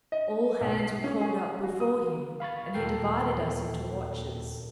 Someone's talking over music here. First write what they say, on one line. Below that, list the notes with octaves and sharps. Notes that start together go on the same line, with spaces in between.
All hands were called up before him, and he divided us into watches.
D#5
B1
C7
C#4
G#4
F#4
D#6
F5 B5 C#6 A6
D#2 A#2 A4 A#4 G5 C7